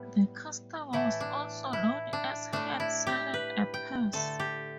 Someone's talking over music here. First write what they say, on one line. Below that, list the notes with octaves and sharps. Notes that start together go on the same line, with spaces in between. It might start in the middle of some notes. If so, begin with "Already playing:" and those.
The custom was also known as "handseling a purse".
Already playing: A2 G3 B3
A2 E3 A3 E4
D4
E4
D4
A2 A3 D4
E4
G4
B4
G5
D3 A3 A4
G4